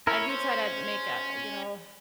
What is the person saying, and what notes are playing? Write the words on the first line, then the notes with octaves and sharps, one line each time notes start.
I do try to make, uh, you know,
C#4 E4 A#4
C5